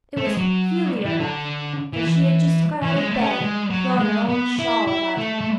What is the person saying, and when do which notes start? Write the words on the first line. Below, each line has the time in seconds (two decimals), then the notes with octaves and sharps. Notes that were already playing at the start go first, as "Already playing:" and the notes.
It was peculiar enough, for she had just got out of bed and thrown an old shawl about her.
0.17 A3
0.26 G#3
0.37 F#3
1.05 E3
1.20 D3
1.93 E3
2.08 E3
2.82 E3
2.96 G#3
3.11 A3
3.21 C#4
3.30 B3
3.41 G#3
3.70 F#3
4.00 G#3
4.30 B3
4.59 E4
4.87 E4
5.18 A3
5.41 A3